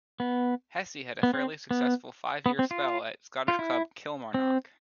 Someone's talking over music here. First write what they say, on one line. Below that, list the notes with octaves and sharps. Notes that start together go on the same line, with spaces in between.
Hessey had a fairly successful five-year spell at Scottish club Kilmarnock.
B3
B3
C4
B3
B3
C4
F4
F4
E4
C4